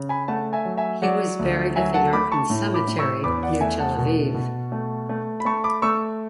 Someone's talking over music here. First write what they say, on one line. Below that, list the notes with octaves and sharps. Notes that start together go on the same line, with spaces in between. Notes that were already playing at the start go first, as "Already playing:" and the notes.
He was buried at the Yarkon Cemetery near Tel Aviv.
Already playing: C#3
G#5 B5
A3 F#5 A5
E5 G#5
F#3
E5 G#5
F#3 D5 F#5
D2
F#3 E5 G#5
F#5 A5
A3 B5 D6
A5 C#6
A2
B5 D6
A2
C#6 E6
E2 B5 D6
D5 F#5
A3 E5 G#5
F#5 A5
B2
B2
A3
A3
B5
A3 A5 C#6
B5 D6
A3 C#6 E6